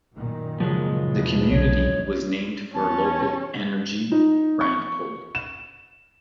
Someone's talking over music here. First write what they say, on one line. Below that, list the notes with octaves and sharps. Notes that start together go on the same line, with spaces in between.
The community was named for local "Energy" brand coal.
F#2 A#2 D#3
C#3 F3 F#3 G#3
E2 B2 E3
B1 C#5
E2 C#4 A5
D#4
C#6
E7